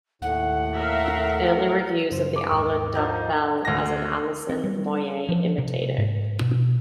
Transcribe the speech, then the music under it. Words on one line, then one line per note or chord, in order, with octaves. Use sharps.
Early reviews of the album dubbed Bell as 'an Alison Moyet imitator'.
D#2 A2 F#5
A#4 E5 F5
A#4
F#2 C#3 C5
D6
D#2 G#2
F3 D#4
D2 A#6
C4
G3
F3
C3
G#2
B2